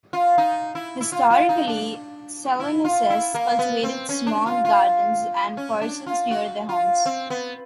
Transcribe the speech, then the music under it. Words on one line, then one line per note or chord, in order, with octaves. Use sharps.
Historically, Saloenses cultivated small gardens and parcels near their homes.
F4
D#4
E4
E4
F4
F4
D#4
D4
E4
F4
E4
A#3
B3
C4
C#4
D4
F4
F4
C#4
D4
F4
F#4
F4
C4
B3